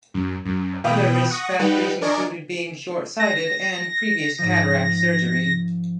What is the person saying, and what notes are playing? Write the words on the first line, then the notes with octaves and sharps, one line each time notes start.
Other risk factors include being short sighted and previous cataract surgery.
F#2
F#2
B2 E3 G5 B5 D#6
F#5 C#6 D#6 A#6
G3 D#4 G4 B4 F#5
D4 A#4 D5 D#5 G#5 C#6
A#6
G#2 F3